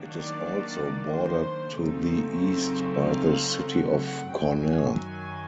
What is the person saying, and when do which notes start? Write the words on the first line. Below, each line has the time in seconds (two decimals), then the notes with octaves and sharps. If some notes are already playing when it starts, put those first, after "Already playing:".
It is also bordered to the east by the city of Cornell.
Already playing: D#3 F#3 A#3 D4
0.16 D5
1.11 C5
1.75 C#3 F#3 A3 C4 D#4
3.02 F5
3.66 F#5
3.98 F#5
4.29 F#2 D#3 F#3 G5
4.62 G#5
4.93 G#5